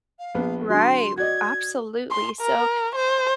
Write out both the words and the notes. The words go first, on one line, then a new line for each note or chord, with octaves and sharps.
Right. Absolutely, so,
F5
A#1 B3
D3 F#3 C6
F#4 D5 D#5 G#6
C6
A#4
C5